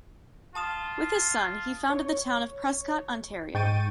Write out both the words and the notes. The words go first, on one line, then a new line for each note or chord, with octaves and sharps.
With his son, he founded the town of Prescott, Ontario.
F4 A5 D#6 E7
C#5
G#2 G5 C#6 A6 D#7